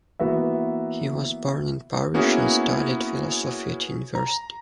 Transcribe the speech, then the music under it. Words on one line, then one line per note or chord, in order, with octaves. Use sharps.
He was born in Paris and studied philosophy at university.
E3 A#3 B3 F#4 E5
A#3 B3 C#4 E4 F#4 G#4
A#5